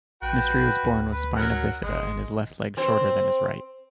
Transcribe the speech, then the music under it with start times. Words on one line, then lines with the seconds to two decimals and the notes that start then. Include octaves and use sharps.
Mistry was born with spina bifida and his left leg shorter than his right.
0.22 A#1 F#4 B4 G5
0.83 D2
1.12 B4
1.36 F#3 A#4 F#5
1.82 G#1 G#3
2.77 C4 C5